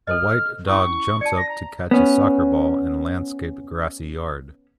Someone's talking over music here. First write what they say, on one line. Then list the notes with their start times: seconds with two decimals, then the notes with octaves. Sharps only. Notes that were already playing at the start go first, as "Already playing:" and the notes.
A white dog jumps up to catch a soccer ball in landscaped grassy yard.
0.07 A4 C5 D#5 F6
0.67 C#4 E4 C#6
1.21 D5 A5 C#7
1.37 A#6
1.49 A#5
1.91 B3 C#4